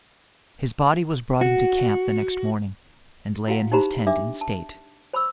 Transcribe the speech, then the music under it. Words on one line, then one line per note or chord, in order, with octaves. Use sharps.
His body was brought into camp the next morning and lay in his tent in state.
F#4
E4 F#4 F5 F#5
D#4 E4 G4 C5 A#5 B5
D4 E5 D6
A5
C5 B5 C#6 E6